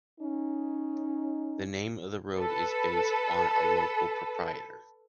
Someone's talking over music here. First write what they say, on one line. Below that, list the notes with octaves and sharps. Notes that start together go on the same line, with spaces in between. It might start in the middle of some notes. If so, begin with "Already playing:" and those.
The name of the road is based on a local proprietor.
C#4 D#4
A4 B4